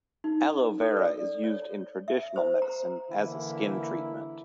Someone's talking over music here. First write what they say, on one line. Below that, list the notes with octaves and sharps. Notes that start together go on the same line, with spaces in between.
"Aloe vera" is used in traditional medicine as a skin treatment.
D#4
A4
D5
C#5
E5
C5
A#5
D3 E3 A#3 E4